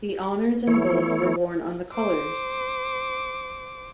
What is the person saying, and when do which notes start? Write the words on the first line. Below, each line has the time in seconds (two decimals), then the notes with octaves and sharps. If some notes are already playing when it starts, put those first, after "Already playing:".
The honours in bold were worn on the Colours.
0.67 E3 A3 B3 E4 C#5
1.93 C5 D6